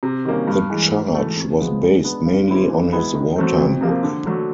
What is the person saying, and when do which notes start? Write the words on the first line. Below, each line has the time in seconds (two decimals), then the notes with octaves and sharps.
The charge was based mainly on his wartime book.
0.03 C3
0.25 D#3 G3 A#3 C#4
0.47 G2
0.70 E3 G#3
0.92 G#2
1.15 E3 A3
1.37 C3
1.59 F3 G#3 B3
1.81 G#3
2.04 B3 D4
2.25 G2
2.48 D3 G3 C4 E4
2.69 E3
2.92 G#3 B3 E4
3.15 D#3
3.36 F#3 A3 C4
3.58 F2
3.81 C3 F3 A#3
4.03 D3
4.26 F#3 A3 D4